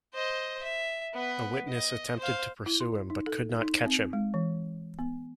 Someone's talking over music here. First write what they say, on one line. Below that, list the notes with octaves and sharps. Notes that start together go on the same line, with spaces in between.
A witness attempted to pursue him but could not catch him.
C5 D#5
E5
B3 B4
D#5
C5 F5
E4
C6
D#4
A4
D#4
C4
G#3
E3
B3